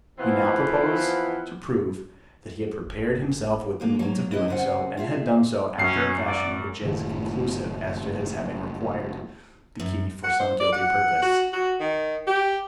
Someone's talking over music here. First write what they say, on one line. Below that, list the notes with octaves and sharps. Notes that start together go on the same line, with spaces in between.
We now propose to prove that he had prepared himself with the means of doing so, and had done so after a fashion which is conclusive as to his having required the key for some guilty purpose.
E3 F3 B3 C4 E4 F4
G1
G#3 A#3 F4
F#3 A#3
E4 A#4 B4 D#5
D2 C#3 C4 C#4 F#5
F4 G#4 E5
F#2 C#4 C7
D5
F#1 A2 D#3
F#2
F#5
C5
D5
F#5
F#4
F#4
D#3
G4